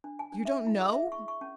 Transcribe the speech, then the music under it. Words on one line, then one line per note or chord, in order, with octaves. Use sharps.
You don't know!
D4
G#5
D4
E5
E4
G#4
E5
C#6
C#6
C#4